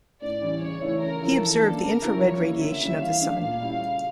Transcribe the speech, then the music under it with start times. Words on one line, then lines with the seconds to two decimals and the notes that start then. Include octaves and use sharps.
He observed the infra-red radiation of the Sun.
0.21 A2 D5
0.41 E3 G3 C#4
0.61 C#3 C#5
0.82 E3 A3 E4
1.01 C#3 A#4
1.21 F3 C#4 E4
1.41 E3 A4
1.61 A#3 D4
1.80 C#3 A#4
2.01 G3 C#4 E4
2.20 F3 C#5
2.40 A#3 E4
2.61 D3 E5
2.81 G3 A#3 C#4 E4
3.00 E3 F5
3.20 A3 D4
3.40 A#2
3.61 G3 C#4 E4
3.80 C#3